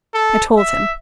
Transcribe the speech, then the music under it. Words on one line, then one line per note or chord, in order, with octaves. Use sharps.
I told him.
A4
E5